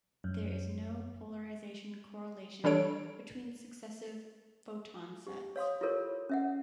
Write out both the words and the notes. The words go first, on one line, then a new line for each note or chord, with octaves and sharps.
There is no polarization correlation between successive photon sets.
F#2
E3 G3 D4 A4 C#5 D7
G4
C#5 F5 C6 D#6
E4 F4 G4 A4 A#4 C#5
C#4 E5 F#5